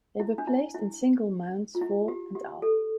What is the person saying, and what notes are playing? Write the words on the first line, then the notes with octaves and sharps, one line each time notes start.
They were placed in single mounts fore and aft.
E4
D4
E4
E4
F4
E4
G4
G4
A4